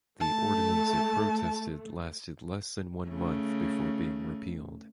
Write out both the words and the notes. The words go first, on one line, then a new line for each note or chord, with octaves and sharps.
The ordinance it protested lasted less than one month before being repealed.
A3 A5
C#3 A3